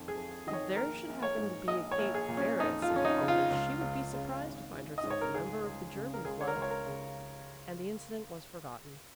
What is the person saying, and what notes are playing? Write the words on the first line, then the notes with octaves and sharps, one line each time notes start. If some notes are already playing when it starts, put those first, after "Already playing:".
"If there should happen to be a Kate Ferris in college, she would be surprised to find herself a member of the German Club," and the incident was forgotten.
Already playing: F2 D#3
G#4
F2
D#3 D#5
C#5
A#1 A#4
A#1
C#5
G#2
A#1 D#5
C#5
A#1
G#4
A#2
C#4
F2 D#4
F4
F2
C#4
D#4
C#3
F4
C#2
C#2
C#3
G#1
G#1
D#5
G#2
C#5
A#4
C#2 G#4
C#2
C#3
A#4
C#2 G#4
C#5
A#4
C#2
C#5
A#4
C#3